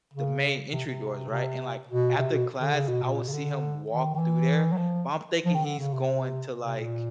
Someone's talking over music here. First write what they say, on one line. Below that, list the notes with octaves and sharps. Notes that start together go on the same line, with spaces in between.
the main entry doors, right? And, like, after class, I would see him walk through there, but I'm thinking he's going to, like,
C#3
C3
C3
C3
B2
C3
B2
D3
C#3
B2
B2
A#2
B2
C#3
D3
D#3
D#3
E3
F#3
F3
F3
D#3
D3
C#3
C3
C3
A#2